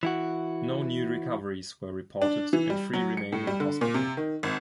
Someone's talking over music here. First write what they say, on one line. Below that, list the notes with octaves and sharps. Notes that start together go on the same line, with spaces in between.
No new recoveries were reported and three remain in hospital.
E3 E4 F#4
D4
E3
G3
F#3
C#7
A2
G3
D3
A#2
C3
D#3
G#1